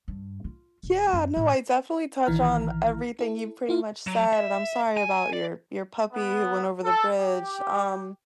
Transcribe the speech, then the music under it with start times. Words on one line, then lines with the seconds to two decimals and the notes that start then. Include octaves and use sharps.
Yeah, no, I definitely touch on everything you've pretty much said, and I'm sorry about your your puppy who went over the bridge, um,
0.08 G2
0.44 F4
0.83 E1
1.13 F#2
1.36 A2
2.26 A#1 D#3 E3 E4 A#5 F6
3.19 E4 A4
3.69 E4 F4 F5
4.07 F#3
4.33 E5
4.97 G#5
5.33 D5
6.12 B3
6.84 A4
7.17 G4